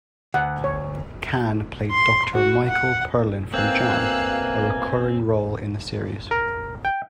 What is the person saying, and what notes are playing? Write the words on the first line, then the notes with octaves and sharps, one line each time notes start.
Cann played Doctor Michael Perlin from "Jam", a recurring role in the series.
D2 F#5
C#5
C6
F#4
F#5
D2 B2 A#3 C4 F5 G#5 E6 F#6
A#4
G5